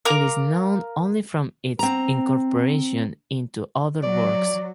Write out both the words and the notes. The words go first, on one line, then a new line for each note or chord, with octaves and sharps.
It is known only from its incorporation into other works.
A#4 F5 A#5 D6
C4 A#5
F#3 D5